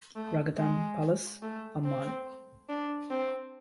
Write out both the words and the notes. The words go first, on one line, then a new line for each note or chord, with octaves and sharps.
Raghadan Palace, Amman.
A3
G#3
A3
C4
D4
C4